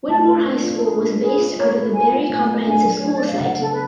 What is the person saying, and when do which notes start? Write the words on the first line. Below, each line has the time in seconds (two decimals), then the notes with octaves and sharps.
Whitmore High School was based out of the Barry Comprehensive School site.
0.08 A3 A5
0.26 F4 B4
0.46 D4
0.65 F4
0.73 A4
0.82 G#4 B4
1.01 D4
1.19 G#4 B4
1.39 F4
1.57 A3 C#5
1.75 B4
1.93 B4 G#5
2.12 F4
2.30 A3 G#5
2.49 A3
2.67 D4 G#5
2.85 F#3
2.99 D4 C#5
3.13 D5
3.23 D4 F5
3.40 C#3 F#5
3.59 B3 A4
3.71 B4